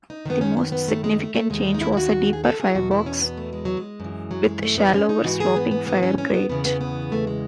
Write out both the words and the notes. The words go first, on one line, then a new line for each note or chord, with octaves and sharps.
The most significant change was a deeper firebox with shallower sloping fire grate.
D#4
F#2 D#3 B3
C#4
B3
B3
A3
G#3
A3
A3
D#2 D#3 G#3
G#3
D#4
E4
E4
F#4
G#4
A4
G#4
E4
E2 B2 F#4
E4
C#4
B3
A3
G#3
F#3
G#3
F#2 E3
F#3
G#3
A3
B3
D#4
C#4
D#4
G#2 E3 F#4
G#4
B3
B3
B3
C#4
C#4
B3
E2 C#3 E3 B3
B3
B3
A3
G#3